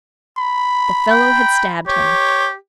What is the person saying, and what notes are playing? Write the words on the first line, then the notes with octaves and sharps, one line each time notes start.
The fellow had stabbed him.
B5
G5
G4 C#5